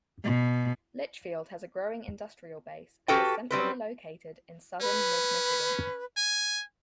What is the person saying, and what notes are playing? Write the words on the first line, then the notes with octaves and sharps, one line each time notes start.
Litchfield has a growing industrial base and is centrally located in southern Mid-Michigan.
B2
C#4 F#4 G4 A4 B4 G5
F#3 G3 C4 B4
C#4 B4
G#5